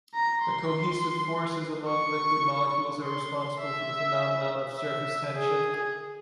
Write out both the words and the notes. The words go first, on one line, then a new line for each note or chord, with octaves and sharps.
The cohesive forces among liquid molecules are responsible for the phenomenon of surface tension.
A#5
C6
C#6
C6
E5
E5
G#4